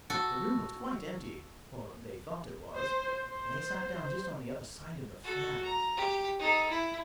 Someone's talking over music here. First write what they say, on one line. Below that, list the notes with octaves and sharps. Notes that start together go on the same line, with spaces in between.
The room was quite empty, or they thought it was, and they sat down just on the other side of the flags.
F#4 A4
C5
C5
F#4 A4
A#5
G4
D#4 A4
E4